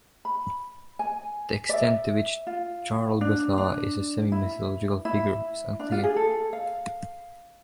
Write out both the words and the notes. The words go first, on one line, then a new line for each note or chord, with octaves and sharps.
The extent to which Jarl Buthar is a semi-mythological figure is unclear.
B5
G#5
D5
E5
F4
D4
D4
E4
E4
D4
F4
G#4
A4
F5